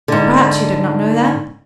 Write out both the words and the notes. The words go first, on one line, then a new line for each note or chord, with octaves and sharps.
Perhaps you did not know that?
G#2 D3